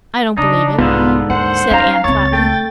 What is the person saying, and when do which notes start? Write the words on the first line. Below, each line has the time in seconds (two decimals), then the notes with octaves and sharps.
"I don't believe it," said Anne flatly.
0.37 C#3 D4 D#4
0.78 C2 G#2 D3 B3 F4
1.30 D#2 C5 F#5
1.71 C#4 D#4 F5 A#5
2.04 C#2 C4 C#5 A6
2.33 A3 G5